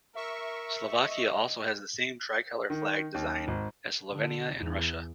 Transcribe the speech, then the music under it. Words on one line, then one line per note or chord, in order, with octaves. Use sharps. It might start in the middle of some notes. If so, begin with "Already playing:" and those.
Slovakia also has the same tricolor flag design as Slovenia and Russia.
A#4 E5 C#6
D#5
D#3
D#2
G#1
D3
E2